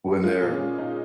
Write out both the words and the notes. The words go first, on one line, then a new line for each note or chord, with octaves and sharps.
when they're
G#3 F4
A#2
C#4
G#3
A#2 D#4